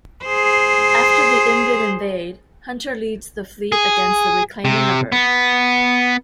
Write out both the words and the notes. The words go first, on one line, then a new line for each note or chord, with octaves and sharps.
After the Invid invade, Hunter leads the fleet against the reclaiming of Earth.
G#4 C5
G#4
C3
B3